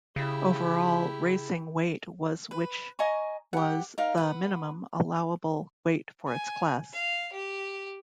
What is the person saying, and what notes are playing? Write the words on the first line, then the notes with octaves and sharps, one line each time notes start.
Overall racing weight was which was the minimum allowable weight for its class.
C#3 E4 G4
B4
D#5 G#5 A#5 C#6
G4 F#5
D#4 A#4 F5
B4 F#5
G#5
F5
G4